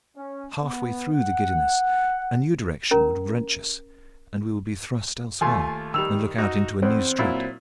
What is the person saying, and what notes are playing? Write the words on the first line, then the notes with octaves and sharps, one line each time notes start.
Halfway through the giddiness, a new direction would wrench us and we would be thrust elsewhere, and look out into a new street.
C#4
B3
F#5
C#4 A#4 A#5
D#2 A3 F4 G#5 C6
D#3 G3 E6 F7
D#4 F#4
E2 C4
A#2 F#3 E4